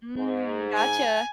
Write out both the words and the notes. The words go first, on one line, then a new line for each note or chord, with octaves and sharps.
Mm, gotcha.
G#2
G#5